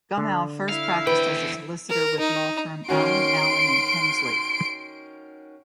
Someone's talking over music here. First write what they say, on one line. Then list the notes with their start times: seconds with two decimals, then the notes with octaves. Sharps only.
Gummow first practiced as a solicitor with law firm Allen Allen and Hemsley.
0.17 D3
0.69 E4 F5
1.07 E2 B4 G5
1.89 A#4
2.20 D#4
2.88 D#3 C#4 F#4 C6 D7